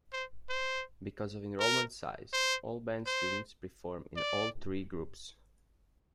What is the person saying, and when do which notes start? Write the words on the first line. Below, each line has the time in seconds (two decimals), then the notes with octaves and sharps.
Because of enrollment size, all band students perform in all three groups.
0.13 C5
0.49 C5
1.60 A#4
2.33 C5
3.06 C5
4.16 D5